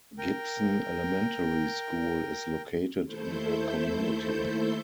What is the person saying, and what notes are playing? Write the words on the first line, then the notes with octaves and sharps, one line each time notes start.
Gibson Elementary School is located in the community.
A#4 G5
D#2 A3 E4 A4 C5 G6